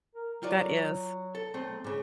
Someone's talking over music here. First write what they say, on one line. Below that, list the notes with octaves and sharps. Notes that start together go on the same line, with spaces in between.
That is.
A#4
F#3 F4 F#4 D5
A4
B1 A3 C4
G#2 C#3